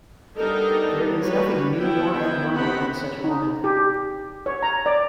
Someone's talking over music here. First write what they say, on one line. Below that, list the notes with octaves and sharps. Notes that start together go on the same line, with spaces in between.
There is nothing new or abnormal in such a woman.
G3 B3 D4 D#4 A4 A#4
G3 A#3 F#4 B4 C#5
B3 E4 G5
D#3 B3 C4 G4 F#5 B5
D#4
G4
C#5
A#5
D5